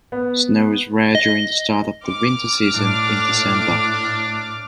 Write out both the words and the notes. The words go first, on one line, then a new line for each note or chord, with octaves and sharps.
Snow is rare during the start of the winter season in December.
B3
D#5
D6 F6
A2 D4